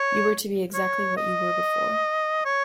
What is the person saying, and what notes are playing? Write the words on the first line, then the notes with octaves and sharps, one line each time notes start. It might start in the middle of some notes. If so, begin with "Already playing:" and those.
You were to be exactly what you were before.
Already playing: C#5
C#5
D#5
C#5